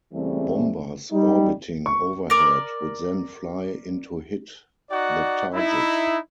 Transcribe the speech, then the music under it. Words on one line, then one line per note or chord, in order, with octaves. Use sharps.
Bombers orbiting overhead would then fly in to hit the target.
E2 C#3 E3 G3 A3 C4
G3 D#4
C#6
A#4 D5
D#4 F#4 D5 F#5
D#4 E4